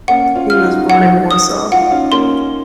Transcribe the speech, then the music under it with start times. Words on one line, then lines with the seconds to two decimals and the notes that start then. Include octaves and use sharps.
He was born in Warsaw.
0.08 A#3 C#4 F#5
0.35 C#4 F4
0.50 F4 F6
0.63 D#4 F#4
0.90 F#5
1.31 D#6
1.72 F4 F#5
1.81 D#4
1.91 C#4 F4
2.12 A#3 C#4 C6